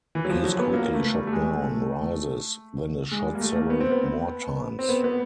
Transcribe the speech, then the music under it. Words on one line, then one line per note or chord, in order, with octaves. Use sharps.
He is quickly shot down, rises, then is shot several more times.
E3
F#3
F3
F#3
B3
A#3
A3
G3
A3
G#3
A3
G#3
G3
A#3
A3
A#3
B3
C4
B3
C4
B3
B3